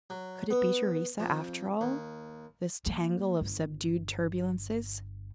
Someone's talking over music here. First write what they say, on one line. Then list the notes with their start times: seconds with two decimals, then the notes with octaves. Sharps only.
Could it be Theresa, after all, this tangle of subdued turbulences?
0.10 F#3
0.50 B3
1.20 F2
1.81 D#2
2.86 A#3
3.41 G1